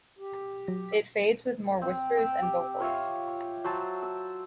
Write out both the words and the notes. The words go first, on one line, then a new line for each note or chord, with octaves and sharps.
It fades with more whispers and vocals.
G4
F#3 A#6
E5 B6
C4
G5 E6
G4
F4 C#5 E5 F5
F#3 C5 A5 E6
E6